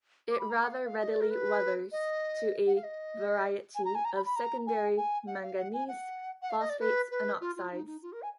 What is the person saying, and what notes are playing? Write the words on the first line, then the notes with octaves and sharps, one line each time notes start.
It rather readily weathers to a variety of secondary manganese phosphates and oxides.
D6
B5
A#5
D6
F#5
F5
F5
D#5
D5
A#4
B4
D#5
F#5
F5
D#5
G#5
A#5
G#5
A#5
B5
B5
A#5
G#5
G#5
F#5
F5
F#5
G#5
F#5
F#5
F5
D#5
D5
B4
B4
F4
F4
D#4
D#4
F4
A#4
G#5